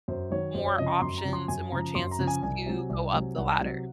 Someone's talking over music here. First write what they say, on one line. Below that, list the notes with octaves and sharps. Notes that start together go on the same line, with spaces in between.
more options, and more chances to go up the ladder.
F#2 C5
D#3 F#3 C#5
F#2 C5
C#5
C#3 F3 D#5
A#5
F#2 C6
A#5
C#3 F3
C6
F#2 G#5
C#3 F3 A#5
F#2 C6
A#5
C#3 F3
G#5
C2 G#5
C3 F#3
C2
C3 F#3
C2 F#5
C3 F#3